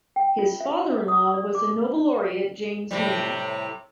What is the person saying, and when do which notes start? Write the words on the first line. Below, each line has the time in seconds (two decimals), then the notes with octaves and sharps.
His father-in-law was the Nobel Laureate James Meade.
0.16 G5
0.39 F4
0.60 E5
1.08 D#6
1.34 D5
1.55 D6
2.91 A2 C3 G3